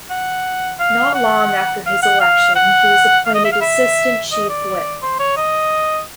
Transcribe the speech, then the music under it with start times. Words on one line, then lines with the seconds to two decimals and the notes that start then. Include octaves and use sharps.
Not long after his election he was appointed assistant Chief Whip.
0.10 F#5
0.80 F5
1.15 F#5
1.86 F5
2.03 F#5
2.21 F5
2.56 F#5
3.26 F5
3.35 D#5
3.45 E5
3.53 F5
3.61 E5
4.32 D#5
4.50 D5
5.02 C5
5.20 C#5
5.37 D#5